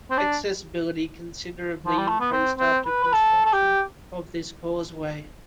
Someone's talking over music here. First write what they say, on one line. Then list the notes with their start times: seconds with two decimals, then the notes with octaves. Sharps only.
Accessibility considerably increased after construction of this causeway.
0.10 C4
0.18 D4
1.85 F3
1.97 G3
2.08 A3
2.20 B3
2.33 C4
2.59 C4
2.86 B4
3.04 B4
3.13 A4
3.45 A4
3.53 G4